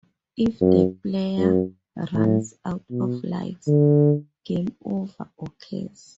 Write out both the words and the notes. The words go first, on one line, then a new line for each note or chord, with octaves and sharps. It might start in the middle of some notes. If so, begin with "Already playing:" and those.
If the player runs out of lives, game over occurs.
F#2
F#2
A2
B2
D3